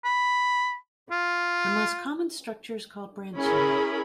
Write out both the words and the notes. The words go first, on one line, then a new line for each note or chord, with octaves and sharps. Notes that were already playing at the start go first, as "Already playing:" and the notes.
The most common structure is called branching.
B5
F4
C#4 E4 G#4 A#4 B5